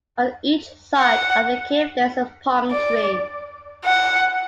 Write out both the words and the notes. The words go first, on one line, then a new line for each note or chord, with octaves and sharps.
On each side of the cave there is a palm tree.
F#5
D5
F#5